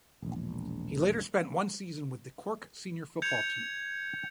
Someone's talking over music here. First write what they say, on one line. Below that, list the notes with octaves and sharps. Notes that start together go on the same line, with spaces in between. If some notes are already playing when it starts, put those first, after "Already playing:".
He later spent one season with the Cork senior football team.
E1 A#1
G6 G#6 C#7 F7